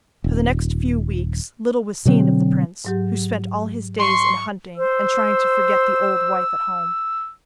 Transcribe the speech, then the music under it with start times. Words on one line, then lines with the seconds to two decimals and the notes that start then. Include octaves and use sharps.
For the next few weeks little was seen of the prince, who spent all his days in hunting, and trying to forget the old wife at home.
0.24 D#1
2.05 B2 D3 F#3 C4
2.85 G#2 F#3 G4
4.00 C6 C#6
4.78 C5 E6